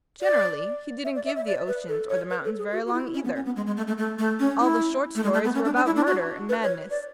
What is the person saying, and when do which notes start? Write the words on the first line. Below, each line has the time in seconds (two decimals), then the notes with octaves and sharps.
Generally he didn't give the oceans or the mountains very long either. All the short stories were about murder and madness.
0.22 D5
1.05 E5
1.15 D5
1.26 E5
1.36 E5
1.47 D5
1.68 B4
1.89 A4
2.09 C#5
2.30 B4
2.44 A4
2.58 G#4
2.72 F#4
2.87 F#4
2.93 E4
3.14 C#4
3.24 B3
3.35 C#4
3.45 B3
3.56 G#3
3.67 G#3
3.77 A3
3.87 A3
3.98 A3
4.19 A3
4.40 C#4
4.60 E4
5.15 A3
5.23 G#3
5.33 A3
5.44 B3
5.54 C#4
5.65 D4
5.76 D4
5.86 E4
5.96 D4
6.07 F#4
6.49 B4
6.63 C#5
6.91 D5